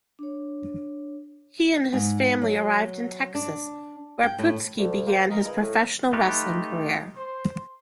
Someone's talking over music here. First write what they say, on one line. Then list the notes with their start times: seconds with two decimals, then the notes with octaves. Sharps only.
He and his family arrived in Texas, where Putski began his professional wrestling career.
0.19 D4 C#5
1.93 G#2
2.42 F#3
3.35 D4
4.23 G5
4.39 A2
4.77 D2
5.07 A#3 G4 C5
5.30 A#4 D#5
5.45 D#4 F4 G#4 A#4 B4
5.60 A2
6.13 A3 D#4 F4 G4 B4
7.17 C5